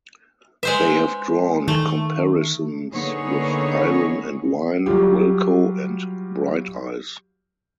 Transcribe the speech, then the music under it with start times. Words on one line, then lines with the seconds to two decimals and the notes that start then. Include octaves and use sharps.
They have drawn comparisons with Iron and Wine, Wilco, and Bright Eyes.
0.63 G#3 B4 C5 E5
1.68 D#3 A3
2.91 D3 A#3 B3 D#4 G#4 C#5
4.86 F#3 G3 F4 G4